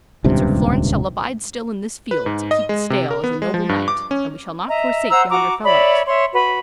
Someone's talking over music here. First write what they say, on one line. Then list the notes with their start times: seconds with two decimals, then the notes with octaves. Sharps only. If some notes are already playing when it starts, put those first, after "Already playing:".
And Sir Florence shall abide still in this field to keep the stale as a noble knight, and we shall not forsake yonder fellows.
0.24 D#1 C#2 G2 C3
2.11 B4
2.26 G#2
2.51 D#5
2.69 G#3
2.90 C3
3.11 A#4
3.24 B3
3.42 G#3
3.54 F3
3.69 G2
3.88 D6
4.11 C#4
4.68 D#5 E5 A#5
5.10 C5 F#5 A#5 E6
5.30 F#4 A#5 D6
5.65 C#5 D5 E5 B5
6.07 C#5 E5 C6
6.34 F#4 B4 B5